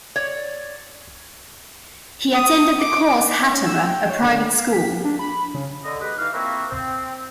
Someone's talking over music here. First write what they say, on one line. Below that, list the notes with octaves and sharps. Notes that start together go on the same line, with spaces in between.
He attended the Cours Hattemer, a private school.
C#5 D5
D#6
D6
C#4
E6
G5
C#5
D3
F5
B6
D4
B5
C#3
D3 D#5
G#3 G4 B4
E3 D#4 F5
F3 A#3 C4 E4 F#4 E5
C4